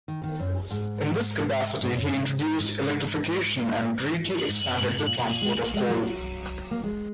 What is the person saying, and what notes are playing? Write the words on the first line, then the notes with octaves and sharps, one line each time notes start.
In this capacity he introduced electrification and greatly expanded the transport of coal.
D#3
D#3
F#2
G#2
G#2
F#2
G#2
G#2
G#2
F#2
G#2
G#2
A#2
B2
A#2
G#3
A#3
G#3
F#3
A#3
G#3